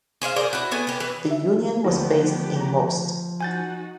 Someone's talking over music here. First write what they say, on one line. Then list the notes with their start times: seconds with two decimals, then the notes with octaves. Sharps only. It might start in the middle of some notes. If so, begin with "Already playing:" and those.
The union was based in Most.
0.22 G#4 C5 E5 F5
0.36 G#4 A#4 C5 D5
0.53 E4 F#4
0.71 A3 B3 G#5
0.87 G4 B4
1.00 E3 B4
1.31 E5
1.84 D2 D3 F3 A#3 B3 E4 G4
2.61 A#5
3.40 D#4 F#4 G#5 G6 A6